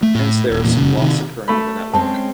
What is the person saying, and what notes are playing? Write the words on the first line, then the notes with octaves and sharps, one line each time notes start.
Hence, there is some loss occurring in the network.
A3
A2
D#1
E2 A#2 E3
F#1 C#3
C3 D#3
A3 B5
G#3 C4 C#4 A5